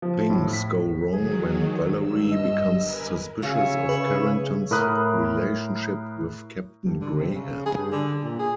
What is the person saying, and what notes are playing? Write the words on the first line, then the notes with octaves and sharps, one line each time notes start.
Things go wrong when Valerie becomes suspicious of Carrington's relationship with Captain Graham.
F3
A2
B6
D#3 F#3 G#4
G2 E6
D#5
A#4 B4 G#5
C#3 F4 F#4 C#5 E5 F5 G#5
B4
A2 A#4 B5 D#6 F#6
G2
D3
C3
C#3
G#4
G2
D3
A#2
G#4